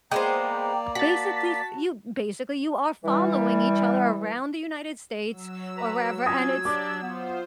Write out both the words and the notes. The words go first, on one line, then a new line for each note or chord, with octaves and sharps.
basically f you basically, you are following each other around the United States- or wherever- and it's
G#3 A#3 B3 C5 D5 G5 A#5
F#4 A5 A6 B6
E3 G3
F#3 E6
B4 A#5
C4 C#4 F4 D#6 G#6
D4 G4 D5 D6
B3 F4 C5